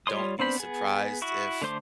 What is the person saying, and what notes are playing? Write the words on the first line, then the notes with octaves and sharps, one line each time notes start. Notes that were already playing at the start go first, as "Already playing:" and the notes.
don't be surprised if
G3 F4 C#5 C6 D#6
B3 C4 D4 C5 B5
B3 G#4
E4 F#4 C#6
D3 A3 C5 C6 D6